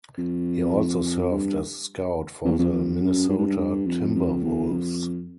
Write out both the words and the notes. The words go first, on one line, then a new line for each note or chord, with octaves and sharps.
He also served as scout for the Minnesota Timberwolves.
F2
G2
F2
E2
F2
F2
F#2
G2
G#2
G2
G2
F2
F2
E2
F2